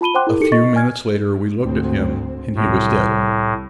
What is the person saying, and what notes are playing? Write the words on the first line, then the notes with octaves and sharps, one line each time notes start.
A few minutes later we looked at him and he was dead.
F4 A5 B5 D#7 G7
C5 F#5 G5 C6 D6 F#6
E4 G#4 A#4
D#4 G4 A4 C#7
D#5 C#6 A6
G#5 F6 G#6
D2 G#2 C4
C2 A2